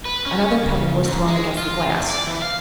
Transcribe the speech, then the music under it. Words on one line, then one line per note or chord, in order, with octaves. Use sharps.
Another pebble was thrown against the glass.
B4
C#4
C#3
G#2
G#3
F4
E2
D5
E3
F5